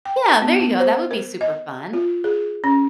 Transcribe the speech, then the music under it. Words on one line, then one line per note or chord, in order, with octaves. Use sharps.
Yeah, there you go, that would be super fun.
G5
B3
B3
C5
A#4
D#5
F4
G#4
C#4